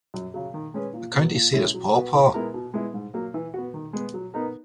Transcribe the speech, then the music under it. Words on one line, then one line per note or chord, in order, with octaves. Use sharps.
The county seat is Paw Paw.
F#2
C#3 F#3
D#3
G#3 C#4 G#4 B4
A#2
F#3 B3
A#2
G#3 C#4 E4
F#3
B3 F#4 B4
E3
G#3 B3 E4 A#4
B2
G#3 B3 E4
G#2
F#3 A#3
E3
B3 F#4
D#3
G#3 B3
F#3
B3 D#4 A#4